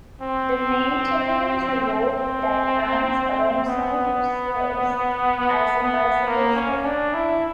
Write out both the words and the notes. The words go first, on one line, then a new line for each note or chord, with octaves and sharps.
The maintenance road that runs alongside serves as a bicycle track.
C4
C4
B3
B3
B3
A#3
C#4
D4
E4